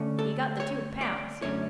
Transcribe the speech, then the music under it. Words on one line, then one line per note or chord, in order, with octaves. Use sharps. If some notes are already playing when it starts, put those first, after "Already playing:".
He got the two pounds.
Already playing: D3 A3 C#4
A4
C#5
D5
F#2 D3 A3 C#4 C#5